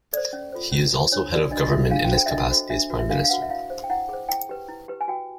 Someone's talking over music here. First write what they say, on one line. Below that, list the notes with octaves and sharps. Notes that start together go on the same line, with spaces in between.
He is also head of government in his capacity as Prime Minister.
A4 C5 D5
C#4
F4 A4 C5
C#4
F4 A4 C5
D4 C#5
F#4 B4 D5
D4 D#5
D#5
F#4 B4 E5
D4 F5
G5
F#4 A4 C5
G5
E5
D4 D#5
F#4 A4 C5
D4 E5
F#4 B4
E5
D4 F5
F5
F#4 B4 F#5
E5
E4 F5
G#4 C5
G5
E4 F#5
G#4 C5
E4 G5
G4 B4
E4
G4 B4
G#5
F#4 G5